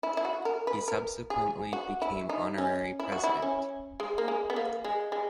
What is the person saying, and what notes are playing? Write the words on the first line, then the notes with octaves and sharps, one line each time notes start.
He subsequently became Honorary President.
E4
E4
F#4
A#4
B4
A#4
G#4
F#4
E4
D#4
C#4
E4
F#4
E4
C#4
G#3
A#3
G#3
B3
A#3
G#3
G#3